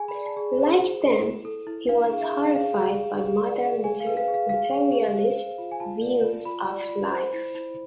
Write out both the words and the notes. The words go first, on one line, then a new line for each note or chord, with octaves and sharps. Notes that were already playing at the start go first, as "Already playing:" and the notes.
Like them, he was horrified by modern materialist views of life.
Already playing: G#4 G#5
B5
D5
A5
G#4
C5
C5
A4
E4
A4
E4
D4 F5
G#4
E5
G#4
G#4 F5
G#4
G#4
G#4
D5
G#4
G#4 G#5
F5
B4
F5
G#4
F5
G#4 F5
G#4
G#4
C5
C5
F4
G#5
F4 A5
D5
F4
F4 B5
D5
F4
C5
E4
E4